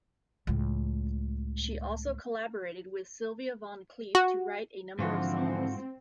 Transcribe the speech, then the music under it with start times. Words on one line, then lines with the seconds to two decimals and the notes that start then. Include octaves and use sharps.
She also collaborated with Sylvia Van Clief to write a number of songs.
0.47 C#2 A2
4.15 F#4
4.99 G#2 D3 E3 F3 C4 F4 F#4